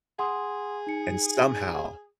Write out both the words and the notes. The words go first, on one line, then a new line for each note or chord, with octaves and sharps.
And somehow
G#4 F#5 C6 D#6
D#4 C#7